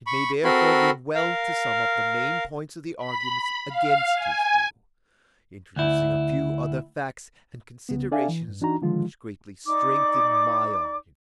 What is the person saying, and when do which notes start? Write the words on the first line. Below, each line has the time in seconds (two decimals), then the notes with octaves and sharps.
It may therefore be well to sum up the main points of the arguments against his view, introducing a few other facts and considerations which greatly strengthen my argument.
0.07 B5 C#6
0.44 C4 F#4 A4 A#4 B5 C6
1.15 A#4 F5
2.98 B5
3.68 F5
4.15 G#5
5.76 D2 E4
7.89 C2 C#3 B3
8.12 D4 A4 D5 E5 F5 G#5
8.29 E3
8.48 G2
8.61 E3 D4 D#4 F#4 A#5
8.82 D3 D#3 F3 G#3 F4
9.66 D#4 D5 D6